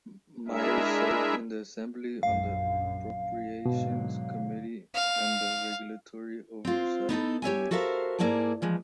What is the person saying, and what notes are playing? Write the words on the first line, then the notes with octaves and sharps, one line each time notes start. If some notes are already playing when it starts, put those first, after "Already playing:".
Myers served in the Assembly on the Appropriations Committee and the Regulatory Oversight Committee.
G#3 D4 E4 G#4 A#4 E5
A#1 F#2 F5
G#2 B2 D3 F#3
F5
C4 F4
B3 D#4 E4 A4
G4 C#5 E5 G#5
F#4 A4 A#4 C5 E5 F5
G#2 A#3 E4 G#4 D5 A5
E3 F3 G#3